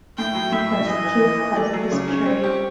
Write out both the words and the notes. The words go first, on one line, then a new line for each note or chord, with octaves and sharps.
The skiff was destroyed.
A2 G5
F#3
A2 E5
F#3
E3 D#5
E3
E3
E3
A3 D5
F#3
C#3 C#5
C#4
C4
G4